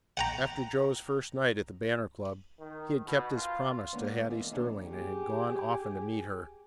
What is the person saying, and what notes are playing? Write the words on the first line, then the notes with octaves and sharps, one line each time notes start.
After Joe's first night at the Banner Club he had kept his promise to Hattie Sterling and had gone often to meet her.
F#5 G5 A#5
D#3
B2
F4
D3 G#3 A#3 B3 C#4
E2 E3 A4 D#5 F5
D#3 F3 A#3 C#4 D4
G4 G#4